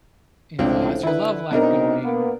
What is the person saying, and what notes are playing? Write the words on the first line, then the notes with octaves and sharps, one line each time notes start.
you know, "How's your love life going?"
C#2 A2 F3 C4 D4
D3 E4 B4
B1 B2 C4 D4 D#4 A#4
A#3 B3